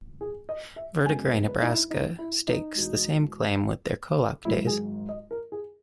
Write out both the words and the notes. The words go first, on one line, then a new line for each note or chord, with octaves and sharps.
Verdigre, Nebraska, stakes the same claim with their Kolach Days.
G#4
D#5
E5
F#2 C#3 G#3 B3 G#5
B4
B4
D#4
E4
D#4
E4
D#4
E2 B2 G#3
G#1 G#2 F#3 E4
G#4
D#5
A#4
G#4